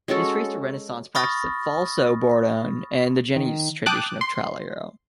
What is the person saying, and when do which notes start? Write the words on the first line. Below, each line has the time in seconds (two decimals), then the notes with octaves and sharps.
It is traced to renaissance practice of falsobordone and the Genoese tradition of Trallalero.
0.08 G#3 C#4 F#4 A4
1.15 B5 C#6 D#6 F6 A6 A#6
3.36 D#3
3.86 G5 A5 D6 D#6 F#6
4.21 C6